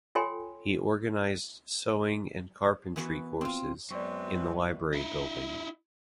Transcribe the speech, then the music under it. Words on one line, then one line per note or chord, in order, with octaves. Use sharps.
He organized sewing and carpentry courses in the library building.
F4 A4 C#5 G5 G#5 C6
E3 B3 F#4
C4 F4
F#2 G#3 B3 C4 D5 C#6
D#4 E4